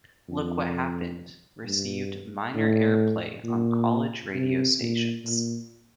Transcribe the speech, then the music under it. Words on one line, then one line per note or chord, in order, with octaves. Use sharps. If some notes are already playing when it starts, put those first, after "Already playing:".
"Look What Happened" received minor airplay on college radio stations.
F2
G2
A2
A#2
C3
A#2
A#2